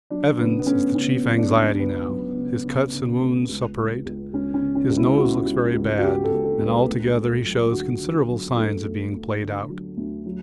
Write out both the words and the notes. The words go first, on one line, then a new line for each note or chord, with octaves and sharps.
Evans is the chief anxiety now; his cuts and wounds suppurate, his nose looks very bad, and altogether he shows considerable signs of being played out.
F#3 D4
C#3 B3
B3
A3 C#4
C#3 C#4
F#3
D4
C#2
C#3 B3
F#3
C#3
C#3
C#3
A3
C#2
C#2
C#2
C#2 C#4
C#4
C#3
C#4
C#2
E4
C#3 F#4
C#2
C#2
F#4
C#3 G4
A4
C#2
A4
C#2
B4
D2
A3
F#3
D3 F#4
D3
F#3
D2 A4
A3
A3
D3
F#3
D2
F#3